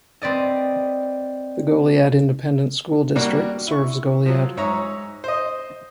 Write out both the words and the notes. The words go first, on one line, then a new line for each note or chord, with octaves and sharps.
The Goliad Independent School District serves Goliad.
C4 B4 D5 D#5
G3 A#3 D4 F#4
E4 C#6
F3 F#3
G#2 C#5 E5 A#5
C5 D#5